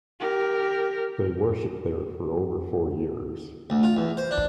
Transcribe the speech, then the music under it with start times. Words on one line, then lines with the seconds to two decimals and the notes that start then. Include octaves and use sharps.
They worshiped there for over four years.
0.20 G4 A#4
3.70 D2
3.83 F4
3.97 E2
4.17 C5
4.31 D4